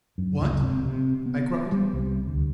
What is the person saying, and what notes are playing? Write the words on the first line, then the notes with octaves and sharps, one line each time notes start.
"What!" I cried.
F#2
C#2
C3
C3
B3
G3
C2
D2